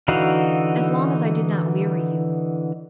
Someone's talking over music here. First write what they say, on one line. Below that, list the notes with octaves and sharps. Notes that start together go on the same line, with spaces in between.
"As long as I did not weary you."
D3 E3 D#4 F#4 F5